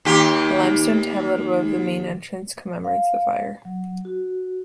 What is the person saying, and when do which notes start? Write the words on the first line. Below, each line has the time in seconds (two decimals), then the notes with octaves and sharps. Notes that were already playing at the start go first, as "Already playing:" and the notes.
A limestone tablet above the main entrance commemorates the fire.
0.05 D#2 G4
2.84 F5
3.65 F#3
4.05 F#4